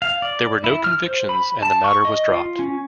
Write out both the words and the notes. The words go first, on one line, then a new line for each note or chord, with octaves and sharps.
There were no convictions and the matter was dropped.
F5
D5
E4
F6
C5
B5
A5
C#6
D#5
F4
C#4